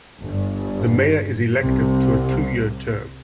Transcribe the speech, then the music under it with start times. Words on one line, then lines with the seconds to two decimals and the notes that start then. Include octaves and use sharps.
The mayor is elected to a two-year term.
0.21 G1 G2
1.63 C2 C3